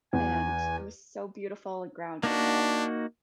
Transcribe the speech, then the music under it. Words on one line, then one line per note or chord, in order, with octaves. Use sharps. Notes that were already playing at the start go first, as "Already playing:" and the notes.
and it was so beautiful and grounding that
E2 G#5
A#3 D4 D#4 F#4